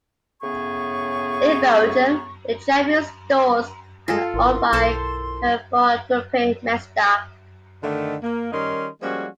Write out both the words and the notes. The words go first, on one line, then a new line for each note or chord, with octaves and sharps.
In Belgium, the Champion stores are owned by Carrefour and Groupe Mestdagh.
A2 C#3 B3 G#4 C#6
F4 A4 F5
G#1 E4 A#4 C6
B1 A4 C5 A5
D3 D#3 A3
A#3
D#3 G3 C#4 D#4 A#4 C6
F3 G3 G#3 A#3 C#4 F#4